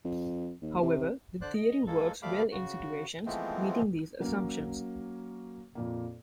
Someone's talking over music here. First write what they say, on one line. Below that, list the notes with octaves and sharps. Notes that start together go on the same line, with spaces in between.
However, the theory works well in situations meeting these assumptions.
F2
D#2
C3
D3 C5 D5 F#6
D#5
G#3 A#3 A4
D2 G3 A3 F5 B5 D6
C#3 F#4
E3 F3 G#3 A3 B3 C4
F#3 A#3 C#4
F2 A#2 A#3